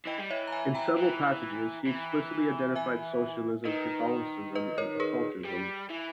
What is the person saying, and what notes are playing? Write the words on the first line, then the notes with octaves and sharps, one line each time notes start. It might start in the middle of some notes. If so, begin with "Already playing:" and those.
In several passages he explicitly identified socialism, Catholicism, and occultism.
E3 D#5 G5
G3
E3 C#5 E5
A#5
E5 G#5
G5 A#5
E3
E3
E5 G#5
D#3 B4 D#5
B4 D#5
A#4 C#5
G#4 B4
G3
E3